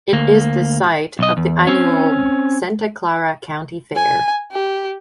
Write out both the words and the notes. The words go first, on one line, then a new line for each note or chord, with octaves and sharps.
It is the site of the annual Santa Clara County Fair.
D2 A#3
B1 D#5
E2
C4 C#4
G#5
G4